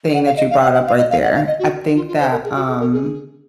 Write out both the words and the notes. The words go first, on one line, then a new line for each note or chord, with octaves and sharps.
thing that you brought up right there. I think that, um,
F#5
F5
D#5
F5
F#5
F#5
F5
D#5
F5
F#5
F5
D#5
F#4
F4
F4
C5
A#4
G#4
F#4
G#4
A#4
G#4